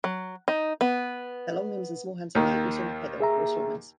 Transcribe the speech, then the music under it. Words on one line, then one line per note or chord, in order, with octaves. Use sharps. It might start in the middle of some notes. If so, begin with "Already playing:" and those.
Their long limbs and small hands and feet also indicate they were poor swimmers.
F#3
D#4
B3
D#2 D#3
G#4 E5 A#5